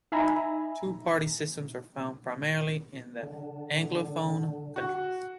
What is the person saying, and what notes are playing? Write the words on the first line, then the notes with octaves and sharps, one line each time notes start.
Two party systems are found primarily in the Anglophone countries.
D#4 E5 G#5 A#5 B5
D3
F#4